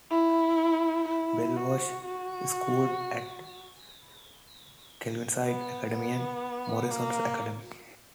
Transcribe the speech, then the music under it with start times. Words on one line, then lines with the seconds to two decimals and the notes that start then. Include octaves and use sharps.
Bell was schooled at Kelvinside Academy and Morrison's Academy.
0.11 E4
1.08 E4
1.57 F#4
2.05 F#4
5.45 B3
5.93 B3
6.91 A#3